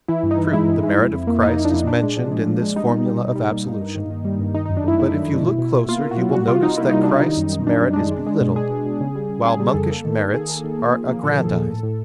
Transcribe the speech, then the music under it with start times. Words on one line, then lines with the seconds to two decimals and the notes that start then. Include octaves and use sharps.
True, the merit of Christ is mentioned in this formula of absolution. But if you look closer you will notice that Christ's merit is belittled, while monkish merits are aggrandized.
0.08 E3 E4
0.23 G2
0.31 D#4
0.38 E3
0.53 G#3 E4
0.68 G2
0.83 G#3
0.98 F2
1.13 F2
1.27 A#3
1.42 A#3 D#4
1.57 A#3
1.65 D4
1.72 F2
1.86 A#2 D4
2.02 G#3
2.17 F3
2.32 G#3
2.46 F3
2.61 G#3
2.76 G3 D#4
2.91 B2
3.06 G3
3.21 B2
3.36 G3
3.51 A#3
3.66 G2
3.80 G2
3.95 D#3
4.10 D#3
4.25 G3
4.39 G2
4.54 D#3 D#4
4.66 F#2 D#4
4.77 D4
4.84 A3 E4
4.99 D#3 E4
5.14 F#3
5.28 A3
5.43 B2
5.58 B2
5.73 B2
5.88 A#3 F4
6.03 A#3
6.11 F#4
6.18 F#3
6.33 G3 F#4
6.48 C3 F4
6.62 C3 D#4
6.77 A#3 E4
6.91 G3 D#4
7.03 G3 D4
7.16 D#4
7.22 D#3
7.37 F#2
7.52 F#2
7.67 F#2 D4
7.81 F#2
7.93 G#3 D4
8.11 G#3
8.26 G#3
8.41 B2
8.56 G#3 G#4
8.71 B2
8.86 B2
9.01 C#3
9.15 G3
9.30 C#3
9.45 C#3 G#4
9.60 G3
9.67 A4
9.74 F2
9.90 A#3
10.05 D#3
10.20 D#3
10.34 D#3 G#4
10.49 A#3
10.64 D#3
10.79 A#3
10.94 F3
11.09 A#3
11.24 A#2 A4
11.38 F3
11.53 A#2
11.68 A2
11.83 A2